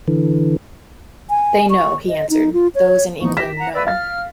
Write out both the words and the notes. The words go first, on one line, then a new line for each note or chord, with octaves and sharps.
"They know," he answered - "those in England know."
D3 E3
G#5
C#6
D#5
D#4
F4
C#5
A1 B3 D#4 C#6
G4 A#6 B6 E7
F#5 A#5
B4 D5 E6
F5 F6 A6